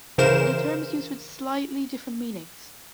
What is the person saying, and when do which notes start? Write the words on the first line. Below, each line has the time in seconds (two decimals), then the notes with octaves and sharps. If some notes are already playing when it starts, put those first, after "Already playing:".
The term is used with slightly different meanings.
0.18 C#3 E3 A#4 C5 E7